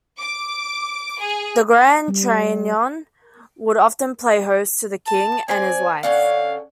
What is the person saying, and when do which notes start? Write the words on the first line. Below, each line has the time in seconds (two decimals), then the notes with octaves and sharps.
The "Grand Trianon" would often play host to the King and his wife.
0.21 D6
1.20 G#4
2.08 G3
5.07 A5
5.48 C4 C5 D5 G#5
6.03 D3 C#4 F5 F#5